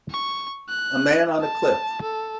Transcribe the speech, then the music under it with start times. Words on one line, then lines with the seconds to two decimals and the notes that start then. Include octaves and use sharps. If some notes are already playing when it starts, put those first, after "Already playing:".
A man on a cliff.
0.10 C#6
0.69 F#6
1.40 A5
2.03 A4